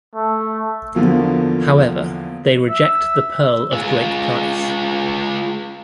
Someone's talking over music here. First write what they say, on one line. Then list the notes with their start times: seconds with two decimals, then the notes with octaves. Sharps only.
However, they reject the Pearl of Great Price.
0.15 A3
0.95 E2 D3 F3 A#3
2.69 E5
3.73 G#3 F4